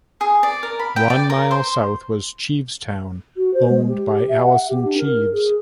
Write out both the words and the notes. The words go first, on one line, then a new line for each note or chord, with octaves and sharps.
One mile south was Chevestown, owned by Allison Cheeves.
G#4
D5
A#4
B5
G5
D5
A#4
C5
F#4
C5
G#3
G4
E5
F#5
G4
D4
A#4
G#4